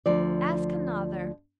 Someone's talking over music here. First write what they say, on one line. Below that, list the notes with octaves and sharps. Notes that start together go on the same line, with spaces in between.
Ask another.'
D2 F3 D5